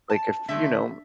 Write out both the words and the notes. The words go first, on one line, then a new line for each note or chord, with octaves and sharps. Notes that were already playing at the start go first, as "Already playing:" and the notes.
Like, if you know,
A5
D3 F3 A3 E5